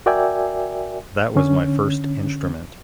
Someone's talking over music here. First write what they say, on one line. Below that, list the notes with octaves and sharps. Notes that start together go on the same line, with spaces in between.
That was my first instrument.
F#4 A#4 D5 E5 G5 G#5
D3 C#4